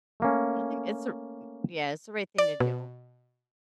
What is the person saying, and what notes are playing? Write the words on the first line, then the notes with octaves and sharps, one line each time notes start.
I think it's a r m Yeah, it's the right thing to do.
A3 A#3 C#4
D5
B2